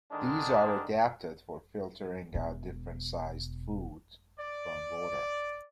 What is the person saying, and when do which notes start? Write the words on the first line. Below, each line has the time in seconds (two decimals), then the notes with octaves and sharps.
These are adapted for filtering out different sized food from water.
0.12 D3 D#3 G#3 D4
2.34 E1 B2
4.39 D5